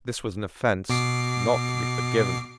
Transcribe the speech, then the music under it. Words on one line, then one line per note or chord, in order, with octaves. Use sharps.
This was an offence not to be forgiven.
B2 D6 C7